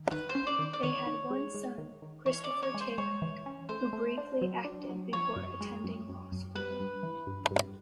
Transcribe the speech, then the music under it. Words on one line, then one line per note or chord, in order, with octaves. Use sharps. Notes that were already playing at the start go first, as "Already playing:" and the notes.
They had one son, Christopher Tayback, who briefly acted before attending law school.
Already playing: D#3
D#3 B4
C5
C#4
D5
D#3
D5
D#3 C#5
D#3
G#3
G#3
D#3
D#3
E3 C#5
D5
C#4
C#5
G#3
C5
G#3 C#5
E3
C#4
A3 C5
A3
D4
F#3
D4
F#3
F3 C#5
F#2
G#3
F#2
F#2
F#2
G3 B4
G2
E3
G2
G2